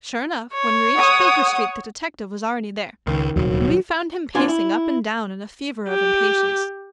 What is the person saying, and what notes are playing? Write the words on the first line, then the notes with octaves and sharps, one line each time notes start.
Sure enough, when we reached Baker Street the detective was already there, and we found him pacing up and down in a fever of impatience.
C#5
F#5 D#6
C#2 D#3
D#1 D2 C3 F#3
B1 B3 D4 F4 G#5 C6
E4
G4